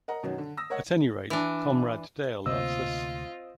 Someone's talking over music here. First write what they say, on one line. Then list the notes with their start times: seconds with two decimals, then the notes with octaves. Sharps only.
At any rate, Comrade Dale loves us.
0.08 A#4 D#5 F#5 A#5
0.23 F#2 B2 D#3 F#3
0.38 D3
0.57 D#6 E6 A#6
0.70 A#4 C#5 D#5 F#5
1.30 E3 D4
2.46 D2 C3 A#3 C4 F4 D#5 E6